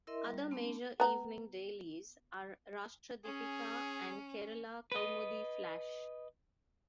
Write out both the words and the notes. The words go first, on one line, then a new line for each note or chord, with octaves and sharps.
Other major evening dailies are "Rashtra Deepika" and "Kerala Kaumudi Flash".
E4 A#4 D#5 E5 C6
G3
A3 B3 C4 D4
B3 A#5
C#4 G#4
B4 D#5